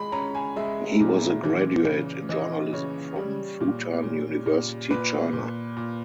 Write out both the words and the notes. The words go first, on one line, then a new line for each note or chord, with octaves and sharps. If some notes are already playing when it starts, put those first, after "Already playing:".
He was a graduate in Journalism from Fu Tan University, China.
Already playing: G#3 B5
C#4 A#5
G#5
G#3 E5
A#2
E3
C#3
E3 D#5
C#3 C#5
G3
A#2
A#2
A#2
A#2 B4
A#2
A#2